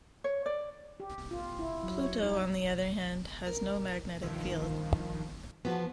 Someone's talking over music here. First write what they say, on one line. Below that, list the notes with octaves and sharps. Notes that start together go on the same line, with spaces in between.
Pluto, on the other hand, has no magnetic field.
C#5
D5
G4
F4
E4
F#3
C#5
D#4
A#4
G2 D#3 F3 E4
A#3
E2 F3 B3 F#4 A5